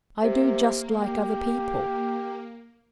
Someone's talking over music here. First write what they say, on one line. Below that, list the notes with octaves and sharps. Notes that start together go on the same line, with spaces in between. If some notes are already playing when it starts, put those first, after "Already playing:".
I do just like other people.
C3 A#3
G4